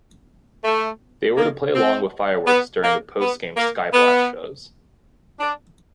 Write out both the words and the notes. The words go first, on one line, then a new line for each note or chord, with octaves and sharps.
They were to play along with fireworks during the post-game "Skyblast" shows.
A3
A#3
C4
B3
A#3
B3
A#3
B3
D4